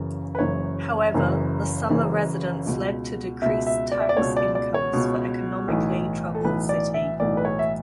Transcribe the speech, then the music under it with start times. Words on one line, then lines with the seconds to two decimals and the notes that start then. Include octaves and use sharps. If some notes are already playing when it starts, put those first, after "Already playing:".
However, the summer residents led to decreased tax incomes for economically troubled city.
Already playing: F#1 F#2 C#3 E3
0.35 B4
0.39 F#1 F#2 C#3 E3 C#5
1.14 F#1 F#2 C#3 E3
1.90 F#1 F#2 C#3 E3
2.66 C#2 B2
3.42 C#2 B2 E5
3.67 E5
3.92 D5
4.01 E5
4.09 D5
4.17 C#2 B2 C#5
4.37 D5
4.55 D5
4.74 C#5
4.93 C#2 B2
5.68 B1 A2 E3
6.35 A4
6.44 B1 A2 E3 B4
6.69 D5
6.94 E5
7.20 B1 A2 E3 D5
7.37 B4
7.45 C#5
7.59 E5